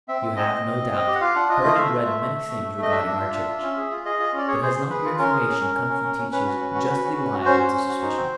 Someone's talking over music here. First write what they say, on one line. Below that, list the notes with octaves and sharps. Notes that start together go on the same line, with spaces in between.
You have, no doubt, heard and read many things regarding our Church; but has not your information come from teachers justly liable to suspicion?
C4 E5
C4
C4 D#5
C4
C4
C4
C4
G4
F#5
F4 F5
D4 F#5
F4 D#5
A3 D#5
F5
A3 E5
F4
A3
A3
A3
A3
A3
A3 D#5
D4 E5
D4
F4
D4
F4
C#4
G#4
F4
G#4 D#5
F4 D#5
C#4
D5
G#4 C#5
G#4 C5
G#4
G#4 B4
F4
C#4 A#4
G#4
C#4
C#4
C#4
C#4
C#4
C#4
C#4 B4
F#4
C#4
F#4
F#4
C#4
C#4
F#4
C#4 C5
C#4
C#4
F#4
D#4
C4